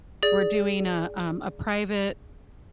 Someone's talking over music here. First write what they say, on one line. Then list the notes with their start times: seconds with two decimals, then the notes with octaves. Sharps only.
we're doing a um, a private
0.23 G#4 D5